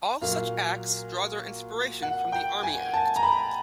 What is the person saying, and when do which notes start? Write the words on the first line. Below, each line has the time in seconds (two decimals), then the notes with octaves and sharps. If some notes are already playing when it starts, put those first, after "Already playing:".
All such Acts draw their inspiration from the Army Act.
0.22 A#2 F#3 A#3 F5
2.02 F#5
2.32 G5
2.63 G#5
2.94 A5
3.16 A#5
3.23 B5